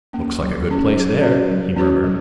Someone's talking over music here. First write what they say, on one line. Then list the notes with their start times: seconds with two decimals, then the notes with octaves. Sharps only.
"Looks like a good place there," he murmured.
0.13 A#3 C#4
0.40 F#3
0.67 A#3 C#4
0.95 F#3
1.21 C#4 F#4 C#5
1.49 F#3
1.76 C#4 F#4 C#5
2.04 F#3